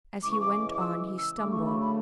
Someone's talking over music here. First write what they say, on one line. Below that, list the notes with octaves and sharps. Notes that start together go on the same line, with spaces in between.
As he went on he stumbled.
C#3 E3 G#3 D6
C#6
D6
D6
E6
E6
D2 C#3 F#3 A3 D6
C#6
B5
B5